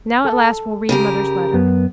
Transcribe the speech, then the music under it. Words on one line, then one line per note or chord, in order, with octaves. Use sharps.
Now at last we'll read mother's letter.
A4 A5
C#3 G4 A#4
F#2 B3